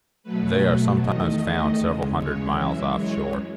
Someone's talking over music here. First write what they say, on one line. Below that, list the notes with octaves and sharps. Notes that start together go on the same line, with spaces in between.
They are sometimes found several hundred miles off-shore.
B2 F#3 A3 B4
E2 D#3 A3 D#5
E2 C#3 G#3
C#5
F#2 E3 G#3 E5
C#5